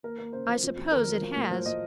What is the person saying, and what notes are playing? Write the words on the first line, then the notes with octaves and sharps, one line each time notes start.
I suppose it has.
D#2 A#4
D#2 A#4
C#3 C5
F3
F2
F2
D#3 A#4
F#3
F3
A2
F3 C5
A2 D#5